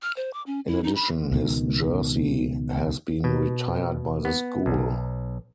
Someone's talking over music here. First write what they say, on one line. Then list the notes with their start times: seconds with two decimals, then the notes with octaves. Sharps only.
In addition, his jersey has been retired by the school.
0.02 F6
0.16 C5
0.33 D6
0.47 C#4
0.67 E4
0.84 D#4
0.95 B5
1.32 C#2 B2 D#3
3.24 B2
4.25 B3
4.66 B1